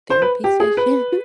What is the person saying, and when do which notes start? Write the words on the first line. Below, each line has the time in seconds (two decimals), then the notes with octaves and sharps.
therapy session,
0.10 C5
0.22 B4
0.44 G4
0.60 G#4
0.77 B4